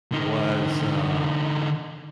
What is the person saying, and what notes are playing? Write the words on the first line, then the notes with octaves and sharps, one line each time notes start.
was, uh,
D3 D#4